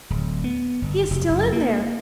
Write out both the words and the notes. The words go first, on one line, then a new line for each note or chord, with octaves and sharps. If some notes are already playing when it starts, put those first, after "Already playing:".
'He is still in there!
D1
B3
G1
F1
F#1
A#3